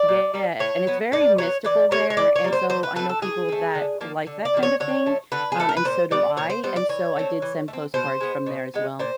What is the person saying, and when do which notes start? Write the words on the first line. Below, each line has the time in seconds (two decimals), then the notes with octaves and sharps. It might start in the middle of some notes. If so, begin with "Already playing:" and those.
Yeah, and it's very mystical there, and so I know people that like that kind of thing, um, and so do I, and so I did send postcards from there as well.
Already playing: D5
0.08 A#2
0.34 G3 A#3
0.60 A2 C#5
0.87 F#3 B3
1.12 A2 D5
1.38 F#3 B3 C#5
1.64 E3 D5
1.91 G3 A#3 C#5
2.10 C#5
2.17 E3 D5
2.36 C#5
2.44 G3 A#3
2.52 C5
2.70 E3 C5
2.83 B4
2.96 A3 C4 B4
3.09 A4
3.22 E3 G#4
3.49 A3 C4
3.75 D3
4.01 F3 A#3
4.27 D3
4.45 D5
4.54 F3 A#3
4.63 C#5
4.80 D3 C#5
5.06 F3 A3
5.32 D3 B4
5.52 G#4
5.58 F3 A3 A4
5.69 A#4
5.77 B4
5.85 A#2 C5
6.11 G3 B3 D5
6.37 A#2 C#5
6.50 C5
6.63 G3 B3 C5
6.76 D5
6.89 E3 C#5
7.16 A3 C4
7.42 E3
7.68 A3
7.73 C4
7.94 B2 C5
8.21 G#3 B3
8.46 B2
8.74 G#3 B3
8.99 A#2 C5